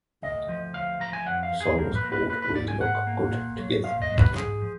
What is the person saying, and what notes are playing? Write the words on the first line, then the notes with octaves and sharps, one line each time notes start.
The song was called "We Look Good Together".
D2 D#5
F3
D2 F5
F3 A#5
G#5
F2 F#5
F5
F2
G#4
F3 A#4
B4
A#3
B4
A#3 B4
B4
G#2 D5
G#5
G#2 F#5
A#3
A#2
F#3
A#2 F5
D#5
F#3
B4
G#2 G#4
F3